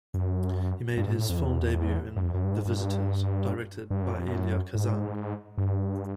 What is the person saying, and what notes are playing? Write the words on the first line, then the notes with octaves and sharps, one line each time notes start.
He made his film debut in "The Visitors", directed by Elia Kazan.
F#2
G2
G#2
A2
F2
E2
F#2
F2
F#2
G2
G#2
G2
G2
F#2
F2
F#2
G#2
G2